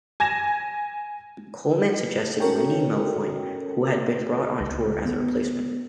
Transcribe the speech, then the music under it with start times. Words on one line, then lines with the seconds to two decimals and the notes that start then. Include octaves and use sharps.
Coleman suggested Wendy Melvoin, who had been brought on tour, as a replacement.
0.20 G#5 G#6 A#6 E7
2.40 C#4 F#4 A4 A#4 C#5 G5
4.60 C#2
5.05 B3